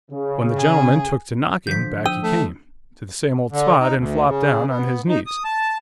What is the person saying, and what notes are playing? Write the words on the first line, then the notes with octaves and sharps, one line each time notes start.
When the gentleman took to knocking, back he came,--to the same old spot, and flopped down on his knees.
C#3
G#4
D3 F3 G6 B6
G5 D#6 E6 D#7
A3
D3
D#4
D2
C#3
B3
D#4
D#6
A5